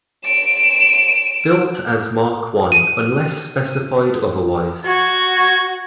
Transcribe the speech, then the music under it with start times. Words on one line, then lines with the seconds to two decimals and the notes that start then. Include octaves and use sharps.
Built as Mark One unless specified otherwise.
0.24 D7 E7
2.72 D#7
4.86 F#4 G#6